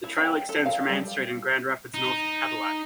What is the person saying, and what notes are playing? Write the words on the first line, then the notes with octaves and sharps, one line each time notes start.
The trail extends from Ann Street in Grand Rapids north to Cadillac.
E4
G5
A4
F5
G3
D#4